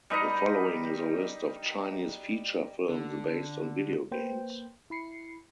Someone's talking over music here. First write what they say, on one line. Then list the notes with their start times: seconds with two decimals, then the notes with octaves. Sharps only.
The following is a list of Chinese feature films based on video games.
0.10 G3 D#4 B4 D#5
2.89 D3
4.11 A#3 B4 C5 G5
4.90 E4 B5 C7 C#7